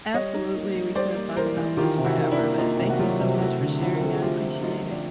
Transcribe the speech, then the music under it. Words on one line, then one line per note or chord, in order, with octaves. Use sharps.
Absolutely, we could talk about this forever. But, thank you so much for sharing. I appreciate it.
G3 C#5 D#5
D#4
A#3
G3
G3 C5 D5
A#3
E3 A#4 C5
E3
D#3 F4 G4
C3
E4 F#4
D#3
D4 E4
A#3
A#3 D#4 F4
C3
F#4
F#3 F4 G4
C3
G4
A3 E4 F#4
D3
F3 E4 F#4
A#4
C4 A4
G#4
A3 F4 G4
C4
A3 D#4 F4
F3
D4